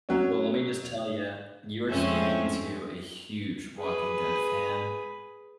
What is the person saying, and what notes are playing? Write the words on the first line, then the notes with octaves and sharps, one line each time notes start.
Well, let me just tell you, you are speaking to a huge Walking Dead fan.
F#3 C#4
F2 G#3 C4 C#4 E5
G#4 B4